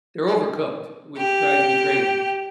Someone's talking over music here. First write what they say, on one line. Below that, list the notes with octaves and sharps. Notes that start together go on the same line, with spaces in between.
they're overcooked which drives me crazy.
G4